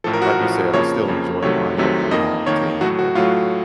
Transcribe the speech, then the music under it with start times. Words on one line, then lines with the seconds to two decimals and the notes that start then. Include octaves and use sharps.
like you said, I still enjoy my local home team, but
0.04 A1 A2 F3 A4
0.13 A#4
0.22 F#4
0.30 A#4
0.39 A1 A2 F3
0.73 F2 C#3 F3 A#3 C#5
1.08 F2 C#3 F3 A#3
1.42 C2 C3 D#3 F#3 A3 C#5
1.77 C2 C3 D#3 F#3 A3
2.11 F2 D#3 A#3 D#5
2.46 F2 D#3 A#3 C#5
2.81 A2 F#3 A3 F#4
2.99 F#4
3.15 A2 F#3 A3 F4